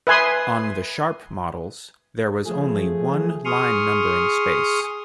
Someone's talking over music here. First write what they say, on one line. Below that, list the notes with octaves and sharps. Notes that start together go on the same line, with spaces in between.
On the Sharp models, there was only one line numbering space.
B4 E5 G#5 C6 D#6
F3 A3 G#4
G#4 C6 C#6 D#6 F6